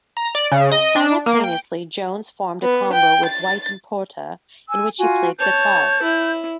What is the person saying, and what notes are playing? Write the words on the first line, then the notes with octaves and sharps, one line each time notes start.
Simultaneously, Jones formed a combo with White and Porter, in which he played guitar.
A#5
D5
C#3
D#5
D4
A#3
G5
B3
G5
A6
G#5 E6
F4 F#4 G#5
C#5 A5 G6
E4